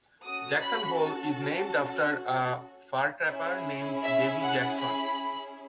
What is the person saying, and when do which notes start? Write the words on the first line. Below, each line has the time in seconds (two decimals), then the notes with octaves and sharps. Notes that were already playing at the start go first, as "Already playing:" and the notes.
Jackson Hole is named after a fur trapper named Davey Jackson.
0.23 C#4 F#4 A4 D#6
0.60 B5
0.98 A5
3.28 C#4 E4 G#4
4.04 E5
4.42 F#5
4.79 B5